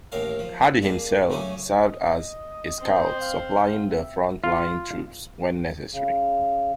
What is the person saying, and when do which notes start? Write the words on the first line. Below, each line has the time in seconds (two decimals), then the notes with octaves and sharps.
Hardy himself served as a scout, supplying the front line troops when necessary.
0.12 A1 D#2 A2 A#4 F5
0.39 F3
0.82 A#3 D4 G#4
1.30 C#2 F#3 A3 C#4 D6 D#6
1.84 D#5
2.80 C4 C5
3.21 F5
3.89 E5
4.44 F4
5.93 C#3